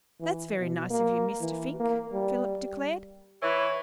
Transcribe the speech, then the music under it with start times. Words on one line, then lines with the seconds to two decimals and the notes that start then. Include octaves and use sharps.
"That's very nice of you, Mr. Fink," Philip declared.
0.20 E3
0.58 B2
0.90 A#3
1.41 E3
1.80 A#3
2.12 G3
3.42 E3 C#5